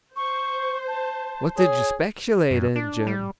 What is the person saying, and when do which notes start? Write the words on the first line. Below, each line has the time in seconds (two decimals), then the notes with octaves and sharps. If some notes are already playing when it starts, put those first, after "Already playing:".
"What did you speculate in, Jim?"
0.16 C5 C#6
0.88 A5
1.57 G#4 C#5
2.51 F#2
2.76 D4
3.07 G3